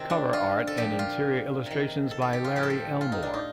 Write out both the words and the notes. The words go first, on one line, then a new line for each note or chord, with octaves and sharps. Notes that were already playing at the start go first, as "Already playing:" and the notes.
Cover art and interior illustrations by Larry Elmore.
Already playing: C3 D#3 C4
D4
F4
A4
A#2 F3 G4
F4
C3 D#3
A4
A4
G4
F4
A2 F3 G4
A4
G4
F4
D#4
D4
D#4